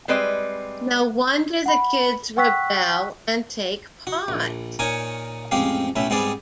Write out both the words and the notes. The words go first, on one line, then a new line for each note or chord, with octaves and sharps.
No wonder the kids rebel and take pot.
G3 G#3 C4 B4 D5 D#5
F#5 B5
F#5 G5 C#6 E6 F#6 B6
F#4
A#1
A#2 D#4 A#4 C#5 G#5 C#6
A1 F2 G#3 C4 G4 F5
B1 A2 C#4 E4 E5
G#2 G3 B3 C4 G#4 D5